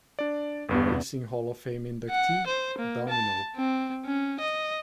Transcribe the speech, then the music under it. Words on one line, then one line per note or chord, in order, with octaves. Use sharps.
Racing Hall of Fame inductee, Domino.
D4 D5
G1 E2 G2 B3
F#5
C5
A#3
A5
C4
C#4
D#5